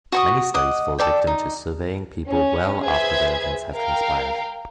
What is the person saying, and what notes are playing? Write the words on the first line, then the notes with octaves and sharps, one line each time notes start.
Many studies fall victim to surveying people well after the events have transpired.
F#4 C#6 D#6
D#5 F#5 D6
A4 D5 G5
D#4
C#4
G#4 B4 C5 E5 G#6
A#4 F5 G5